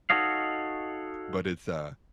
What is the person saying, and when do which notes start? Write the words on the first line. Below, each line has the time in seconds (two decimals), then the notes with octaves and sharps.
but it's a
0.10 D#4 F#4 A4 C#5 D#5 F5